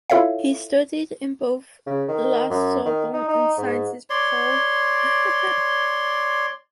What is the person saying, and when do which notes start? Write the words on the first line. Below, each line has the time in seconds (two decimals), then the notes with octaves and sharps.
He studied in both La Sorbonne and Sciences Po.
0.10 E4 F4 A4 C#5 E5 F5
1.87 C#3
2.08 D#3
2.50 F#2
2.85 D#3
3.13 D#4
3.28 D#4
3.58 G#2
4.10 C#5 D5 C6